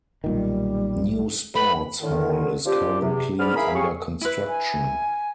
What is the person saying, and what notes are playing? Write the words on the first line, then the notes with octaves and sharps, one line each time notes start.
New sports hall is currently under construction.
B1 A#2 D#3 G3
B4 B5
A2 D3 D#3
C4 D4 F4 G4
E2 C3
G#2 B3 G#4 D5 B5 F6
E4 G#4 A#4 F5 B5
G4 G#4 C#5 F5 C#6
E4 B4
G#5